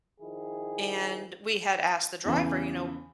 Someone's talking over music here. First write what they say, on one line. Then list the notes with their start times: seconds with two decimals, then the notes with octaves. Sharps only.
and we had asked the driver, you know,
0.21 D#3 F3 E4 G#4
2.25 E2 C#3 E3